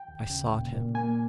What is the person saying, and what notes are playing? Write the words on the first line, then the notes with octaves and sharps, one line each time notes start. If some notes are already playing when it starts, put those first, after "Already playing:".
I sought him.
Already playing: G5
D#2
C#3
A#2
A#2
A#3 G#5